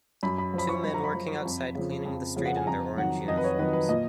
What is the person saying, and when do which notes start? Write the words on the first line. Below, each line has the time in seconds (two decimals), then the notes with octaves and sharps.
Two men working outside cleaning the street in their orange uniforms.
0.23 F#2 B5
0.38 B5
0.54 F3 B5
0.69 C#6
0.83 F#2 B5
0.94 A#5
1.04 B5
1.14 F3
1.45 F2
1.75 C#3 F3
2.05 F2
2.36 C#3 F3
2.46 F#5
2.57 G#5
2.67 F2 A#5
2.97 D#3 F#3 F#5
3.28 F2 D#5
3.38 B4
3.44 C#5
3.59 D#3 F#3 B4
3.73 B4
3.89 A#2 D#5